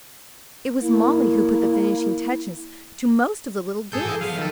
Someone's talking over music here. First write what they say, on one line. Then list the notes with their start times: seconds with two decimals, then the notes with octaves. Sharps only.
It was Mollie who put the finishing touches to most of the little gifts.
0.81 A#3 E4
3.92 C2 G#2 G#4 A4 G6
4.05 E3
4.21 F3 F#3 B3 F5
4.37 D#3 A4